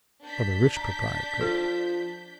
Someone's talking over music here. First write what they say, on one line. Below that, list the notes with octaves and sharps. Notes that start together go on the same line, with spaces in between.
For the rich proprietor.
D4 G6 B6
A#5
F3 A4